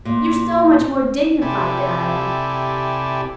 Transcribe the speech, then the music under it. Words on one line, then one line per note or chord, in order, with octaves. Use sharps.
You're so much more dignified than I am.
A#2
C3 E4 G4 A4 D5 G#5